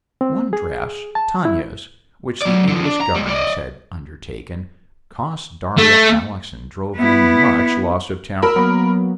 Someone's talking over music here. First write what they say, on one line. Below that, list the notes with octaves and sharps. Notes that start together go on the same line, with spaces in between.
One dress, Tanya's, which the English governess had undertaken, cost Darya Alexandrovna much loss of temper.
C4
G#4
A5
E4
F#3 D5
D3 F3
D4
A#5
G3 G#3
D5 D#5
A3
B3 E4
A#4 B5 E6
F#3 A#3 B3